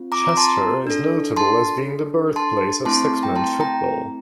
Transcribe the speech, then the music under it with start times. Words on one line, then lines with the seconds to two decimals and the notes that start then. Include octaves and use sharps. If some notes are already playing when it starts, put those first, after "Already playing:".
Chester is notable as being the birthplace of six-man football.
Already playing: C4 F4
0.12 A#5 D6
0.29 A#5
0.37 A5 C6
0.87 D4 A4
1.36 A5 C6
2.36 A5 C6
2.85 A3 C4 E4 A5 C6
3.23 G5 A#5
3.36 A5 C6
3.60 G5 A#5